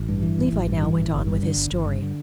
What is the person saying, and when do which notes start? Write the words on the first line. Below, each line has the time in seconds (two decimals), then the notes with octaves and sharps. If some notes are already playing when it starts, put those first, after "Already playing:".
Levi now went on with his story.
Already playing: A1
0.09 G2
0.22 E3
0.38 A1
0.53 A1
0.67 G2
0.83 E3
0.97 A1
1.12 G1
1.27 G2
1.43 D3
1.57 G1
1.72 G1
1.86 G2
2.02 D3